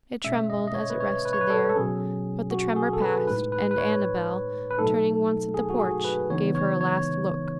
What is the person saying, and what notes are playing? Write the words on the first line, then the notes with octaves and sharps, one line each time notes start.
It trembled as it rested there, but the tremor passed, and Annabel, turning once at the porch, gave her a last look.
B2 G#3 C#4 E5
D#5
D#5
C#5
B4
C#5
B4
C#5
B4
A4
A4
B2 F#3 C#4 G#4
F#4
G#4
A4
B4
A2 G#3 D#4 B4
B4
B4
C#5
B4
B2 F#3 A3 D#4 A4
G#4
F#4
G#4
B4
C#3 E3 G#3 B3 D#4 C#5
C#5
C#5